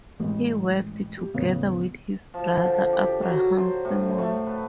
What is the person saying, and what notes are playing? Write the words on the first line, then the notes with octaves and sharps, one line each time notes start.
He worked together with his brother Abraham Simon.
A1 G#3
G4
E2 A2 C#3 B3 C#5
F3
D3
G5
G4
F#3
C5
A2
A3
B4